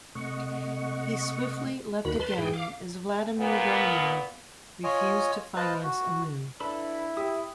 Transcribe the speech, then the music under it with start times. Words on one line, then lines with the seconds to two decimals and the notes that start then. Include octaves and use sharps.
He swiftly left again as Vladimir Romanov refused to finance a move.
0.15 C3 A3 D#5 F#5 C#6
2.05 D#2 D#3 F#4 B5
2.20 B4 A5 C6
2.38 G#2 G#4 G5
2.53 F5 D6
3.38 A#2 B3
4.84 F4 C#5 D#5 G#5
5.56 B4 C5 D#5 F5 A5
5.84 F#4
6.60 D4 E4 A4 B4 B5
7.17 G4 E5 D#6